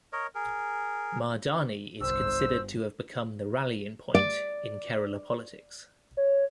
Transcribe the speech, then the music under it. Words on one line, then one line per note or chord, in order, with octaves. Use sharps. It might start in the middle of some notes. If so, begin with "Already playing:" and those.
Mahdani is considered to have become the rallying point in Kerala politics.
A#4 C#5 D#5
G#4 A#4
G1 C2 C5 E6
D5
C#5